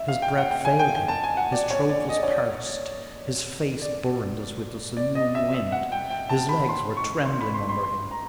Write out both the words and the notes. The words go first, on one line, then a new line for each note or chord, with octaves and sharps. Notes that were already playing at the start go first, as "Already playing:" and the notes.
And his breath failed him, his throat was parched, his face burned as with the simoom wind, his legs were trembling under him.
Already playing: E5
F5
G5
F#5
G5
G#5
G5
G#5
A5
G#5
F#5
D5
C#5
D5
D#5
D5
C#5
D5
D5
D5
D#5
E5
E5
F#5
G5
G5
A5
B5
B5
C6
C#6
C6
B5
C6
C6
C6
A#5